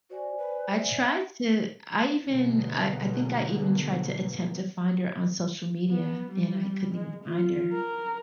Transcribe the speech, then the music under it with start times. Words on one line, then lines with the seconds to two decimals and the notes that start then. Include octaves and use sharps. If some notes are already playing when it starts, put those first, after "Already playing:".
I tried to I even I I think I even tried to attempt to find her on social media, and I couldn't even find her.
0.10 F#4 C5 D5 G#5
0.38 B4
0.71 E5
2.30 B2 D3 F#3 G#3 A#3 B3
5.90 B3
6.31 G3
6.94 G#3
7.24 F4
7.73 A#4